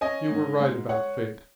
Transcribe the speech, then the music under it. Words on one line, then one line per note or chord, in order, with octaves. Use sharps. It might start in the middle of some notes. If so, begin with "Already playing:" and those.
You were right about Fate.
C#4 D#5 G#5
G#2
G#3
C#5 F#5